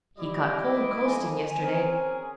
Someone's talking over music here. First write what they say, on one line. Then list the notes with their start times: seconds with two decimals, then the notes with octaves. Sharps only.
He caught cold coasting yesterday.
0.18 G3 E4 D#5 D6
1.05 F2 G#5
1.60 C4 C#4 G#4 A#4